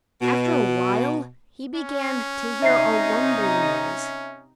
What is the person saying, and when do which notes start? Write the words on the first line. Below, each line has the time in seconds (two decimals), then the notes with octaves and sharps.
After a while he began to hear a rumbling noise.
0.21 B2
1.75 C#4
2.62 C3 D#4 E5 C7